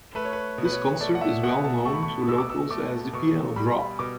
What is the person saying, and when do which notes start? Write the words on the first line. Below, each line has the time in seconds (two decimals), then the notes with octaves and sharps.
This concert is well-known to locals as the Piano Drop.
0.15 A3 B4
0.25 C#5
0.33 B4
0.58 B2
0.65 B4
0.72 C#5
1.00 A3 D5
1.15 F#5
1.21 E5
1.43 B2 F#5
1.64 A5
1.85 A3 C#6
1.94 B5
2.03 C#6
2.28 B2 E6
2.38 D6
2.50 E6
2.71 A3 D6
3.13 B2 C#6
3.56 G3 B5
3.77 B5
3.99 B2 D6